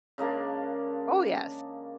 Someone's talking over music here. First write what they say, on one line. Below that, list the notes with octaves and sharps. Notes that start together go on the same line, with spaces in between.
Oh, yes.
C#3 G#3 A#3 D4